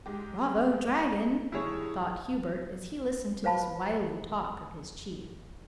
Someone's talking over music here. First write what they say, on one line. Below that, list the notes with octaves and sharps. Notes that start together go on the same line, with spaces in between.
"Bravo, Dragon!" thought Hubert, as he listened to this wily talk of his chief.
G#2 G#3 G4
G2 D#3 E4 G#4 C#5
B4 C5 F5 A5 B5